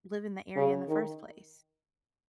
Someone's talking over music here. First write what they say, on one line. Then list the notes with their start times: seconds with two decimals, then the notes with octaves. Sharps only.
live in the area in the first place?
0.56 C#3
0.88 D#3